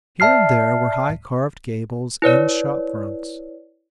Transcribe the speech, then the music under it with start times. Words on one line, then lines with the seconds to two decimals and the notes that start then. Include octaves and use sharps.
Here and there were high carved gables and shop-fronts.
0.20 D5 E5 A5 F6 C7
2.22 E4 B4 C#5 D5